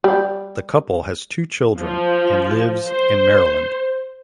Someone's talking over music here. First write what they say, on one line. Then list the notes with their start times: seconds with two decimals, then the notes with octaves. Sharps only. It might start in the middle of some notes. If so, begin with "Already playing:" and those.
The couple has two children and lives in Maryland.
0.04 G3
1.81 F3
2.89 C5